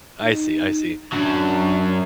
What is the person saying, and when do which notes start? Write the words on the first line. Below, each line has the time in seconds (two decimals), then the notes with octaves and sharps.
I see, I see.
0.21 D#4
1.13 F#2 F#3 D4